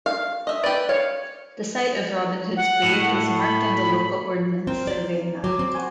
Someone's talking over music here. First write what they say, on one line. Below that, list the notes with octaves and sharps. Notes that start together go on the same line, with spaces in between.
The site of Robin Hood's Grave is marked on the local Ordnance Survey map.
F5
D#5 E5
G4 B4 D5
C#5 F5
F#5
A2
B5
C4 A#4
D5
F#3 D5 D6
C4
F#4 C5 G#5